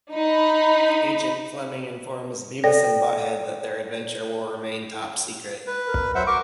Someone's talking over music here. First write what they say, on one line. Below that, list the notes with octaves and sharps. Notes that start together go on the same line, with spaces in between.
Agent Flemming informs Beavis and Butt-Head that their adventure will remain top secret.
D#4 B5
A4 D5 G5 A#6
B4
A#4
F#3 C5 E5 F#5
A#4 C#6 D6